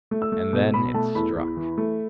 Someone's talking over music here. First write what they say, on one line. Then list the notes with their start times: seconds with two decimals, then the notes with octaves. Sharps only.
And then--it struck!
0.11 A3
0.22 E6
0.32 A3
0.53 B2
0.74 B2 B5
0.94 A3 A5
1.15 E2 B5
1.36 E2
1.57 E3
1.78 A3